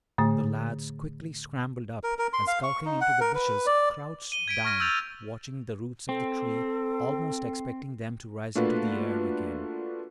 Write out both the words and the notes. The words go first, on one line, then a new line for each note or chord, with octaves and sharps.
The lads quickly scrambled up and, skulking into the bushes, crouched down, watching the roots of the tree, almost expecting them to rise into the air again.
A2 D3 A3
A#4
A#4
C6
F5
C#6
D#4
F#5
A#4
B4
D5
D#7 G7
G#6 B6 D7
C#6 F6 G#6 A#6 D7 D#7
E6 F6 G6 A6 F7
C4 A4
A3 A#3 D4 F4 F#4 B4